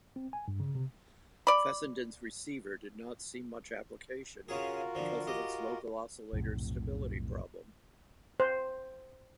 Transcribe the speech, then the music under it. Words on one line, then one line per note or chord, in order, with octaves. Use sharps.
Fessenden's receiver did not see much application because of its local oscillator's stability problem.
C4
G#5
G2
C#3
C3
D5 B5
C#3 C#4 F4 F#4 G#4 A#4
D3 F3
G4 D#5
B1 F2 A2 C3
C5